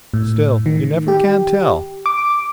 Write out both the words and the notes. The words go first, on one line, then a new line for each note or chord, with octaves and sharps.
Still, you never can tell.
A2
D#3
G4
D6